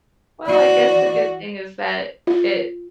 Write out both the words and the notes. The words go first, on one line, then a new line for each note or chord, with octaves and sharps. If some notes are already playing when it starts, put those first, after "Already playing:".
Well, I guess the good thing is that it
E3 F#4 D5
F4